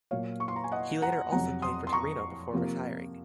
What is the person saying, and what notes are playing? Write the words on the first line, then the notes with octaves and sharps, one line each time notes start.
He later also played for Torino before retiring.
A#2 F#3 A#3 C#5 F5
C#6
C6
A#5
G#5
D#5 F#5
F#5 A#5
F2 C3 F#3 F#5 A#5
C6 D#6
C6
A#5 C#6
C3 F3 A#3